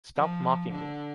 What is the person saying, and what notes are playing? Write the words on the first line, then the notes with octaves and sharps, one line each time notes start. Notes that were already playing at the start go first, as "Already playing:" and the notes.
Stop mocking me.
F3
D3